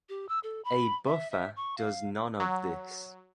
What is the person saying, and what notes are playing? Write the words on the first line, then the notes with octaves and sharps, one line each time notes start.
A buffer does none of this.
G4
E6
A4
B5
E5
E5
C#6
F5
F#3